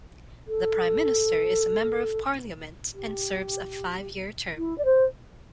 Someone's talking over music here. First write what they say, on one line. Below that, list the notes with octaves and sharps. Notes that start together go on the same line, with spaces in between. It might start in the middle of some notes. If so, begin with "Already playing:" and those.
The prime minister is a member of parliament and serves a five-year term.
A4
G4
E4
D5
C5